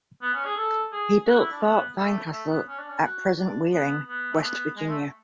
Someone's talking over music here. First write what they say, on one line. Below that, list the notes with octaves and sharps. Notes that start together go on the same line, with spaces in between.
He built Fort Fincastle at present Wheeling, West Virginia.
B3
C#4
G#4
A4
G#4
F#4
E4
D4
B3
A3
A3
B3
C#4
D4
C#4
F#4
D4
B3
B3
A3
B3
G#3
A3